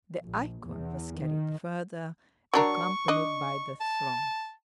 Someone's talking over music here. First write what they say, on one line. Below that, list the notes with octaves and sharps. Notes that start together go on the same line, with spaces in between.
The icon was carried further, accompanied by the throng.
A#1
E2
D#3
F#3 D4 A#4 C#6
D4 D#5
A5